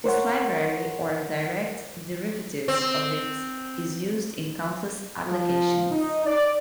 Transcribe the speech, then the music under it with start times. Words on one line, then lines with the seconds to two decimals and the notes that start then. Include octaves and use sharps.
This library or a direct derivative of it is used in countless applications.
0.04 A#4 C5 C#5 F#5
2.68 C4
5.26 F3
5.90 D#4
6.26 D5